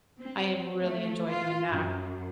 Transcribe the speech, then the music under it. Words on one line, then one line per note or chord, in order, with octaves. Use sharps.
I really enjoy doing that,
C4
A3
F4
F#2